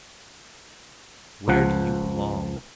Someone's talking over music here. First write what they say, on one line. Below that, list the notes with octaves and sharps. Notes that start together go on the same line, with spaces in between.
Where do you belong?
C#2 F3 F#5